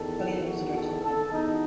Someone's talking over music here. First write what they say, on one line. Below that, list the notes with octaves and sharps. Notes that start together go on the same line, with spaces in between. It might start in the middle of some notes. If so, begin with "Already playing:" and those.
Carlino also directed the film.
Already playing: E2 D#3 A4
F#4
A4
A4
E2 B2 D#4